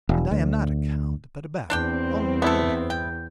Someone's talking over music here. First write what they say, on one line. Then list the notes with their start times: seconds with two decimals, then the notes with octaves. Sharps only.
And I am not a count but a baron, only a baron.
0.09 E1
0.31 D2
1.70 E2 C4 D4 D5 G5
2.42 A3 B3 E4 A4
2.90 G5